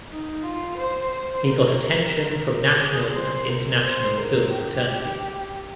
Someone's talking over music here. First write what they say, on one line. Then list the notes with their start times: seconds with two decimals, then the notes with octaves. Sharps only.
He got attention from national and international film fraternity.
0.09 D#4
0.43 F4
0.77 C5
1.11 C5
1.45 A#4
2.47 A#4
2.81 G#4
3.14 C5
3.49 A#4
3.83 C5
4.17 A#4
4.51 G4